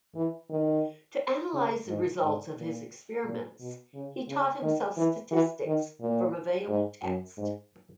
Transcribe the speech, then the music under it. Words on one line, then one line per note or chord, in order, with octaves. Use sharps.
To analyze the results of his experiments, he taught himself statistics from available texts.
E3
D#3
C#3
G#2
G#2
A#2
A#2
B2
C#3
C#3
D#3
E3
E3
D#3
A#2
G#2
F#2
G#2